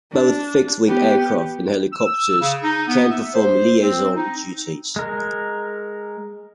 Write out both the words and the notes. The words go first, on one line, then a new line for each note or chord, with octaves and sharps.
Both fixed-wing aircraft and helicopters can perform liaison duties.
D4
B3 G4
E6
C#3
D#4
B3
E5
C5
C4
D#4
G#3 A#4